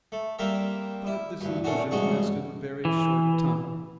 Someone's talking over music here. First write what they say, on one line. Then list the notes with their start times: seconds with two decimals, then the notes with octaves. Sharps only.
But this illusion lasted a very short time.
0.12 A3
0.39 G3 A#3 C4 A#4 E5
1.07 E4
1.41 D2 G2
1.64 A#2 A3 C#4 D4 F#4
1.91 A1 G2 G#3 F#4 G#4 C#6
2.85 E3